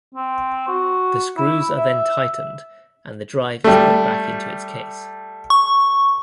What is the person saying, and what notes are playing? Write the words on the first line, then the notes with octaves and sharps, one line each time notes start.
The screws are then tightened and the drive is put back into its case.
C4
F#4
E4
E5
G3 A3
C#6